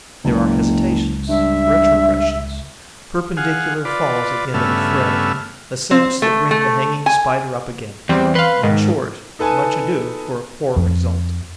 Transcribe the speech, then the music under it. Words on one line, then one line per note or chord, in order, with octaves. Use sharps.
There are hesitations, retrogressions, perpendicular falls at the end of a thread, ascents that bring the hanging Spider up again. In short much ado for a poor result.
F#1 C#2
G2 E5
G#4 F5 F#5
F4 B4 D5
G2 C#3 A3 B3 E5 F6
C4
A3
A3
G#5
E2 G3 C4
B4 F5 C6
G#2 D#3
D#4 A4 B4 G#5 A5
F2